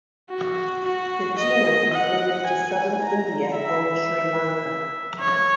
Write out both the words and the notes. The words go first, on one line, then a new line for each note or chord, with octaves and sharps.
The genus is native to southern India and Sri Lanka.
F#4
F#4
D#5
F#5
G#5
A#5
E5
C#5